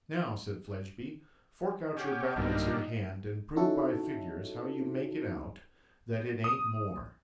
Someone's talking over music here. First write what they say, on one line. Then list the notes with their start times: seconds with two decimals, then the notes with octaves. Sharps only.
'Now!' said Fledgeby. 'Fork out your balance in hand, and prove by figures how you make it out that it ain't more.
1.97 C#4 F#4 G4 F#5 G5
2.36 B1 G2 D3 G3 A#3 D#4
3.56 C#4 D#4 E4 F#4 A4
6.44 D#6